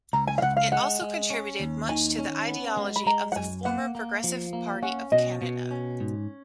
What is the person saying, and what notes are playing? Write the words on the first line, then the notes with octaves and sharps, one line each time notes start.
It also contributed much to the ideology of the former Progressive Party of Canada.
C#2 A#5
G#5
F5
C#2 F#5
F5
G#3 F#5
G#3
C#4
D#2
D#3 G#5
C#4
B3
G#3
B5
G#3 A#5
F#5
F#2 G#5
A#3 F#5
A#3
F3
A#3
C#4 F#5
B2 D#5
B2
C#4
G#2